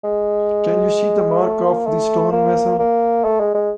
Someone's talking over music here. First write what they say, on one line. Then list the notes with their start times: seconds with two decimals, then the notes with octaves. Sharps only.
Can you see the mark of the stonemason?
0.04 G#3
1.42 A3
1.64 A#3
1.87 A3
2.32 A#3
2.79 A#3
3.24 A3
3.40 G#3
3.54 G#3